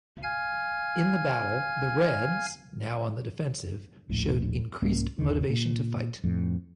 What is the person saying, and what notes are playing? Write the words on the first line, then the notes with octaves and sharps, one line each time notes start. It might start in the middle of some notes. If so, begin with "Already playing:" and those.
In the battle, the Reds, now on the defensive, showed increased motivation to fight.
F5 G#5 F6 G#6
D#1 A#1 A2
C2 G#2 A#3 C#4
G1 D#2 D#3
A#2
F2 A2